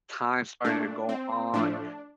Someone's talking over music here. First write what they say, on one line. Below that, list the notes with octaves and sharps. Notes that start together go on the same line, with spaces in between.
time started to go on,
A#2 A3 D4
C4
A2 F3 A3 D4